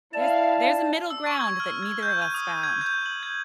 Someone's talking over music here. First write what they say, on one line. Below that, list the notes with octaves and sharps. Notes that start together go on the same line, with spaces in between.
There's there's a middle ground that neither of us found.
E4 D5 F5 A5
E6
C#6
G#6
F6
G#6
G6
D#7
D#6
G#6
G6
F#7
G#6